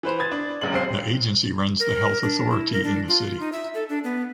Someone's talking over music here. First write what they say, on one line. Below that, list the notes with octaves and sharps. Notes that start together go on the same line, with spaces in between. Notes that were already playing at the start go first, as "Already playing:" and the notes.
The Agency runs the health authority in the city.
E3 B4 C5
B4 B5 D#6 G#6 A6
D4
E1 A1 F#2 C#3 G#3 F#7
D#2 C4 C7
A#4
D4
E4
A#4
D4
F4
D#4
E5
A4
D4
B3